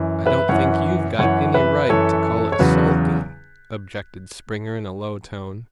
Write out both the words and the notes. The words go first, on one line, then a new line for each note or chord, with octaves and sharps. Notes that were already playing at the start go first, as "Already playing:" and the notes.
"I don't think you've got any right to call it sulking," objected Springer in a low tone.
Already playing: F#2 E3
B4 E5
F#2 E3 C#5 F#5
F#2 E3 C#5 F#5
B4 E5
F#2 E3 A4 C#5
C#5
E2 C#3 F#3 F#4 B4